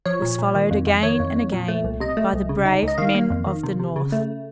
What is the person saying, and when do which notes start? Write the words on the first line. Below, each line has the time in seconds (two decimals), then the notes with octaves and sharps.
It was followed again and again by the brave men of the North.
0.06 F3 C#5
0.22 A#2
0.38 A#2
0.55 D#3
0.71 F2
0.87 F2
1.03 D#3 C#5
1.19 F2
1.35 F2
1.52 A#2
1.68 A3
1.84 C2
2.00 C3 D#5
2.17 A3
2.33 C2
2.49 C#3
2.65 D#4
2.82 C#2
2.88 D#5
2.98 D#3 F5
3.15 A#3
3.30 F2
3.47 D#3
3.63 C3
3.80 C3
3.96 C#3
4.12 A3